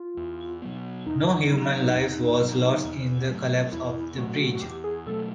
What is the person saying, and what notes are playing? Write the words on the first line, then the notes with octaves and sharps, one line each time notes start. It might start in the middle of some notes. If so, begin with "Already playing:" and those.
No human life was lost in the collapse of the bridge.
Already playing: F4
E2
B2 F#3 B3
E2 D#4
B2 F#3 B3
E2
B2 F#3 B3
E2
B2 F#3 A3
E2 E4
B2 F#3 A3 F#4
F#4
E2 G4
G#4
B2 F#3 A3 A4